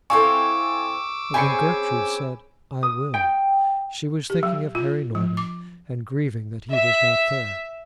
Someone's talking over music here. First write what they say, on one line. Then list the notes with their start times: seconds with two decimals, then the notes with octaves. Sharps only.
But when Gertrude said 'I will,' she was thinking of Harry Norman, and grieving that he was not there.
0.10 C4 E4 A4 F5 G#5 C#6 D6 E6
1.34 C4 C#4 G#4 G#5 B5 C#7
2.83 D#6
3.14 G5
4.30 G4
4.43 F#3
4.75 F4
5.15 F3
5.37 D6
6.71 E5